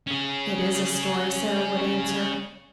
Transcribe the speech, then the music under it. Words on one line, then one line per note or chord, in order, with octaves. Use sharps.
"It is a story," Sara would answer.
C#4 G#4